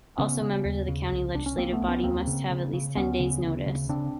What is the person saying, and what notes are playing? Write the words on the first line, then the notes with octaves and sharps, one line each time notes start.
Also, members of the county legislative body must have at least ten days notice.
C#3 B3 C#4
C#3
D#2
C#3
C2
C2 D4
C#4
C2 A#3 C4
A3 B3
C2
B3 C#4
D#2 A#3 C4
C#3
C#3
C#3
D2 B3 C#4
C#3
D2
C#3
C#3 C4 D4